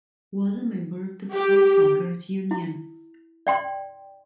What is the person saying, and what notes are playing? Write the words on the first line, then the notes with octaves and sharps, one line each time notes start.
Was a member of the Freethinkers Union.
G4
E4
D5 G5 C6